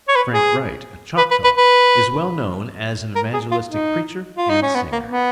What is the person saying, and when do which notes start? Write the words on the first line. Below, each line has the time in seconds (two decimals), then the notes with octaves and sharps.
Frank Wright, a Choctaw, is well known as an evangelistic preacher and singer.
0.08 C#5
0.16 B4
0.34 G#4
1.18 B4
1.31 B4
1.44 B4
1.57 B4
3.16 A#4
3.34 G#4
3.51 F4
3.69 D#4
4.37 F4
4.50 D#4
4.62 C#4
4.75 B3
4.92 A#3
5.10 B3